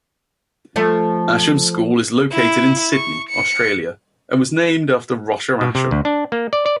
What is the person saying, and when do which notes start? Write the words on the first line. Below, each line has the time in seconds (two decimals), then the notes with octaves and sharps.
Ascham School is located in Sydney, Australia, and was named after Roger Ascham.
0.76 F3 A3
2.32 E4
2.92 C#6
3.29 C#7
5.61 B2
5.75 C3
5.91 D2
6.05 D4
6.32 A#3
6.53 D5
6.66 D5